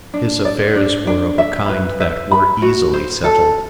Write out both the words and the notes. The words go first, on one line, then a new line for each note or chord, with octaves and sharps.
His affairs were of a kind that were easily settled.
D4
D5
D4
D4
E5
B4
E5
B5
F#4
C5
A4